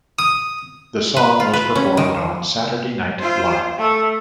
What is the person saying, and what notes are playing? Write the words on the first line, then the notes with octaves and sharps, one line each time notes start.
The song was performed on "Saturday Night Live".
D#6
B4
F4
B4
C#4
D#3
F4 C5
A3 A4